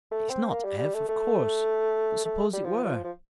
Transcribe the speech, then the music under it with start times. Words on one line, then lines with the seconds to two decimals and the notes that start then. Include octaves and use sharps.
It's not Ev, of course, but suppose it were!
0.11 A3
0.30 C4
0.50 A#3
0.64 G3
0.79 G3
0.94 A3
1.09 A3
2.25 A3
2.53 G3
2.64 F3
2.85 F3
3.04 F3